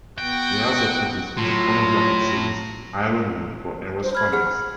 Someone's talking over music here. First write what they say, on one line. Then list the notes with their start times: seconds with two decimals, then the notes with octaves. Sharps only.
He also produced the pornographic series "Ironwood" for Eros Comix.
0.18 B3 F#4 G5
1.37 A2 F#3 F4 A#5
4.03 C5
4.15 B5 F6 G#6
4.33 G#4 F#5 F6